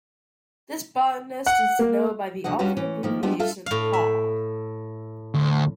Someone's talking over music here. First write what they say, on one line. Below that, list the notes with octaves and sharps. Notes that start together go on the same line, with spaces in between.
This botanist is denoted by the author abbreviation Haw.
F#5
A#3
D2 C3 F3 D#5 F#5
G3 C#4 D4 F4 F#4 B4
E3 C#4
D#3 F3 A#3
G3 G#3 B3 D4 E4 F4
F4 A4 E5 F5
A2 F5
E5
D2